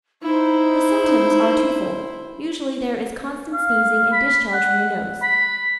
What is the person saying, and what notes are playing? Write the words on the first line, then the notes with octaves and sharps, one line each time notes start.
The symptoms are twofold, usually there is constant sneezing and discharge from the nose.
D#4 E4 C5
F5
B5
F#5
B5